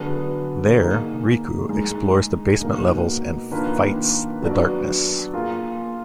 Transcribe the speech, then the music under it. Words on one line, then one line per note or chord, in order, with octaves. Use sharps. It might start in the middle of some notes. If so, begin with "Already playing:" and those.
There, Riku, explores the basement levels and fights the darkness.
Already playing: D3 F#3 B3 D4 G#4
A#3 D#4 G#4
G#3 D#4 G#4
B2 A#3 D#4
D#3 A#3 D4 F4 B4
F#3 B3 D4 F#4 D5
A#3 F4 G#4